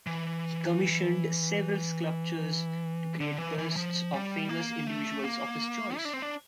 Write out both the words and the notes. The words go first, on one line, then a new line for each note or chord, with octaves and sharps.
He commissioned several sculptors to create busts of famous individuals of his choice.
E3
D3
E3
E3
F3
G3
A#3
A3
A#3
E4
D4
C4
D4